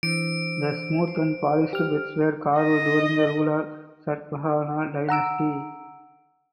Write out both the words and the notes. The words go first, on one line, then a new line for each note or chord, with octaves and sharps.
The smooth and polished beds were carved during the rule of Satavahana dynasty.
E3 D4 C5 E6 D7
C5
G4 F6
D#5
F#5 A#5 E6 D7